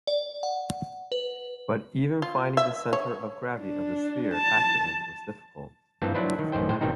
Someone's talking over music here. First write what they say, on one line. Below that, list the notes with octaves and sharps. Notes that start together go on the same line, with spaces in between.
But even finding the center of gravity of the sphere accurately was difficult.
D5
F#5
B4
F4
E5
C#5
D4
A5
G2 E3 F3 A#3 C4 A5
F#3 D4 E4 B4 C5
D#3
A1 F#2 D#3 C5 G5
A2 C5 G5
G#1 B2 D#3 G3 C4 D#4